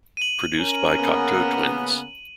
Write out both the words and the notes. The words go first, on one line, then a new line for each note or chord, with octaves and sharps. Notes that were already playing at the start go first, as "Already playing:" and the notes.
Produced by Cocteau Twins.
D#7 F#7
C#4 A#4
C#3 A#3 B3